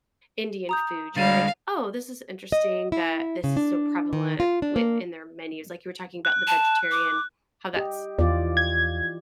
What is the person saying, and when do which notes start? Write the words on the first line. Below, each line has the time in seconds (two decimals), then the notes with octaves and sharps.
Indian food, you're, like, "Oh, this is interesting that this is so prevalent wi in their menus." Like you were talking about the vegetarian how that's,
0.69 A#5 D#6 G6
1.16 D3 G3 G#3 F5 A6 D#7 E7
2.52 D#5
2.92 E4
3.44 C#3
3.57 D4
4.13 D#3
4.40 F4
4.62 D4
4.76 A#3
6.25 F#6
6.47 A5
6.91 D6
7.74 G4 D#5
8.19 E2 E3 F4 D5
8.57 G#6